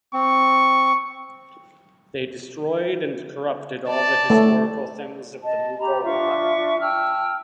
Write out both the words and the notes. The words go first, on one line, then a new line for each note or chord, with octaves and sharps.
They destroyed and corrupted all the historical things of the Mughal Empire.
C4 C#6
D5 A5
A3
D#5 A5
G4 A#5 B5
D4 F4 E5 C#6
G5 A5 E6 F6